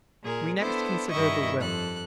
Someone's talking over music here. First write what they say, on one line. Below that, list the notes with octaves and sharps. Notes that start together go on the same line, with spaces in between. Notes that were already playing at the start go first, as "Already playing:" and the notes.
We next consider the will.
A#2 G#4 A#4
B3 D4 E4 A4 C5
G2 D#3 E4 D#5 E5 C#6
F2 A4 F#6